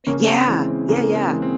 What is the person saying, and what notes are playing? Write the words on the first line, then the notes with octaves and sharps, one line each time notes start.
Yeah! Yeah, yeah.
C#3 A#3 C#4
C4
E3 G#3 C4
C4
C#3 A#3
C4
E3 G#3
C4